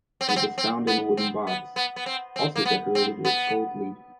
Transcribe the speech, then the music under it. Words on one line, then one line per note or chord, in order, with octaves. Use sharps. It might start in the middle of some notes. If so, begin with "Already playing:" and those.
It was found in a wooden box, also decorated with gold leaf.
C4
B3
C4
C4
B3
C4
B3
B3
B3
C4
C4
A#3
B3
C4
B3